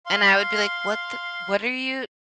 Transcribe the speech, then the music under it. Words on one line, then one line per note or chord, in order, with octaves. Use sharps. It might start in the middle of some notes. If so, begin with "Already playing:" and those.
And I would be like, "What the what are you
F5 C6